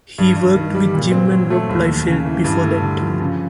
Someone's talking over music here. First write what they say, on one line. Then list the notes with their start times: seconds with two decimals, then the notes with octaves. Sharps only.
He worked with Jim and Rob Liefeld before that.
0.18 G2
0.36 G2
0.55 D#3
0.75 G3
0.94 A#2
1.12 C4
1.32 F#3
1.50 A3
1.69 D#2
1.88 D#2
2.07 C#3
2.25 E3
2.44 G2
2.64 A3
2.82 D3
3.02 F3
3.20 C#3